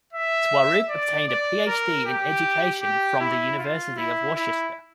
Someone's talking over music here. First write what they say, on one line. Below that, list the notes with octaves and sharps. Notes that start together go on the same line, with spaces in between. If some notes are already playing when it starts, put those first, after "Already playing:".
Swaroop obtained a Ph.D. in Education from the University of Worcester.
E5
D5
D5
A#4
G4
G4
E4
F4
E4
E4